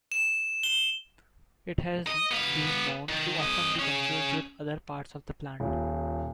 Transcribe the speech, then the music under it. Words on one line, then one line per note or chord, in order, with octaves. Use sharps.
It has been known to often be confused with other parts of the plant.
E7
G7
D#5
B3 F5
D#3
C4 D#5
C#4 G#4
D#1